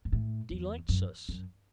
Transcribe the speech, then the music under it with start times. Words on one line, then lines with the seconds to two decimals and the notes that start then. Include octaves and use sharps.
Delights us.
0.05 G#2
0.12 A2
0.50 E2
0.89 F#2
1.29 F#2